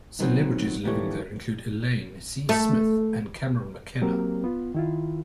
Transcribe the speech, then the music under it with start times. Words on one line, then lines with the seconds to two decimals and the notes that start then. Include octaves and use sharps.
Celebrities living there include Elaine C. Smith and Cameron McKenna.
0.19 A#2 D#3 F#3 G3 B3 C4
0.83 D#2 G#2 D3 E3 G4 C#5
2.49 A3
4.02 F#3 A#3 C4 G4 A#4
4.44 B3 F4
4.74 D#3 E4 F4